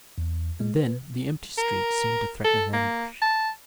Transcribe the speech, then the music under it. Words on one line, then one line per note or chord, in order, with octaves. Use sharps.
And then, the empty street seemed to threaten an ambush.
E2
G#3
B4
A#4
A4
A#3
A5